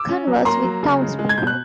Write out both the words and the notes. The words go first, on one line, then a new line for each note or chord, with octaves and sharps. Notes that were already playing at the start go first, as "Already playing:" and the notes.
Converse with townspeople.
Already playing: D6 E6
C#4
F#3
A#3 A#5 C6
F#3
C#3
G#3
G#3
G#6
B2 G6
F#6